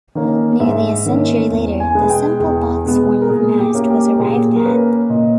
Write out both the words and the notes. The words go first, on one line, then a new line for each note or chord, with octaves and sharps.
Nearly a century later, the simple box form of mast was arrived at.
D#3 A#3 C#4
G#2 E5
D#3 A#3 C#4
E2
G#5
B2 G#3 B3
G5
E2 G#4
B2 G#3 B3
A#4
A#2 G#4
G4
A#3 C#4
G4
A#4
A#2 G#4
A#4
A#3 C#4 B4
A#2 D#5